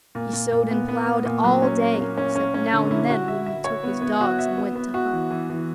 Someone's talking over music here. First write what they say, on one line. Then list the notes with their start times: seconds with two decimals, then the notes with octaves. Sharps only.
He sowed and ploughed all day, except now and then when he took his dogs and went to hunt.
0.15 A#2
0.33 A#2
0.52 A#2
0.70 B3
0.88 B3
1.07 B3
1.25 A#2
1.44 F#3
1.62 C#4
1.81 A#3
1.99 A#3
2.17 C#4
2.36 C#4
2.54 C#4
2.73 D3
2.91 E4
3.09 F#4
3.28 E5
3.46 E5
3.64 C#5
3.83 B3
4.02 B3
4.21 F#4
4.39 E5
4.58 B3
4.75 B3
4.94 F#4
5.13 E3
5.31 E3
5.50 E3